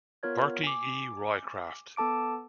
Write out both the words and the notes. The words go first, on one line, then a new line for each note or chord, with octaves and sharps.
Bertie E. Roycraft.
B3 F4 A#4 C#5 G#6
G#5 D6
B3 A4 A5 D6 D7